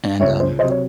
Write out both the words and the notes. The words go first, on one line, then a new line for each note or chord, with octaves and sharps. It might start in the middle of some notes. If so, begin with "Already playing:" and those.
And, um
C#2 C#5 E5
C5
C3 F#3 C5 D#5
C#5